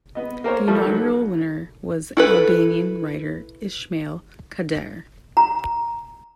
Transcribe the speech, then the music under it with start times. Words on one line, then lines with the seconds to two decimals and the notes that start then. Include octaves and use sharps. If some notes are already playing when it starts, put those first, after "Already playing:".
The inaugural winner was Albanian writer Ismail Kadare.
0.15 B3 D#5
0.44 A#3 A#4 C5 C#5
0.67 F3 G3 A3
0.85 D#3 F#3
2.17 E4 A4 B4
5.37 A#5